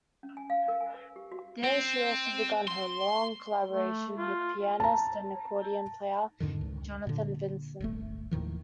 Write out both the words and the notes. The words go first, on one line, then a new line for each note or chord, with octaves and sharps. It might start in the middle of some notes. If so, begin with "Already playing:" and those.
There she also began her long collaboration with pianist and accordion player Jonathan Vincent.
C#4
G#5
F5
A#4
G#5
B4
G4
F#4
C4
C6
A3
F4
A5 A#5
F2 G#2 D3 D#3
C#2
A#2 D3
D1 G1 A3
D#2 A2 D#3 F3